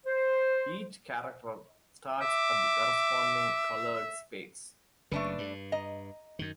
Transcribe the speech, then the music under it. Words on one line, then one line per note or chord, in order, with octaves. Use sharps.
Each character starts at the corresponding coloured space.
C5
E5 D6
F#1 C#3 A3 D4 B4
G2
D#5 A#5
F#2 D#3